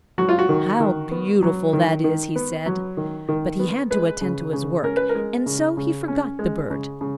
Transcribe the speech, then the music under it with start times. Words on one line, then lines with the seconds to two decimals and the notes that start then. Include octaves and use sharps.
"How beautiful that is!" he said; but he had to attend to his work, and so he forgot the bird.
0.18 F#3 F#4
0.29 F4
0.39 F#4
0.49 D#3
0.80 D#3
1.11 B3
1.43 F#3
1.73 D#3
2.04 D#3
2.36 B3
2.66 F#3
2.97 D#3
3.28 D#3
3.59 B3
3.90 G#3 B4
4.21 C#3
4.53 C#3
4.84 C#4 A#4
4.97 B4
5.09 A#4
5.15 G#3
5.46 C#3
5.77 C#3
6.08 C#4
6.39 G#3
6.70 C#3
7.01 C#3